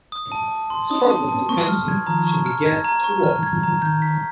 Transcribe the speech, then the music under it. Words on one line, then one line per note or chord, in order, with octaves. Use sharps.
Struggling to continue, she began to walk.
D#6
A5
A5
C6
C#4 D#4 D#6
C4 D4
A5
B3 C#4
A5
B3 C#4
A#3 C4 C#6
F#3 G#3 F6
F3 G3 G#6
D#3 F3 A#5
C#6
F6
G#6
A#5
C#6
D#3 F3 F6
E3
G#6
D#3 F3
D#3 F3 A#5
D#3 G6
B6